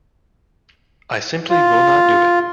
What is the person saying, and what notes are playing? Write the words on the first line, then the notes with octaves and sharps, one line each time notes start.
I simply will not do it.
F4